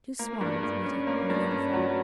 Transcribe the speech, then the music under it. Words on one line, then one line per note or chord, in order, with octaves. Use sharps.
Two swans meeting on the Jungfrau.
A#3
G2
G2
C#4
A#3
G2
C#4
F#3